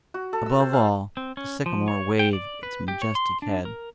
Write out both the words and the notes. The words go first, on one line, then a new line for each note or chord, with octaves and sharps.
Above all, the sycamore waved its majestic head.
F#4
A4
E6
C5
F5
C4
C#4
F3
C#5
G5
D5
B4
G4
C#5
C6
D4
A#4